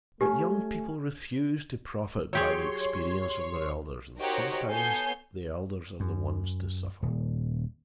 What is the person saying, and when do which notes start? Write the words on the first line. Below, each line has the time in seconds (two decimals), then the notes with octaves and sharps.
But young people refuse to profit by the experience of their elders, and sometimes the elders are the ones to suffer.
0.21 A3 C#4 G4 G#5 A5
2.33 F#3 G4 G#4 C#5 C6
4.19 D#4 F#4 G4 A#4 C5 C#5
4.68 B3 A4 C#5 G#5 G6 C7
6.00 F#2
7.02 D#1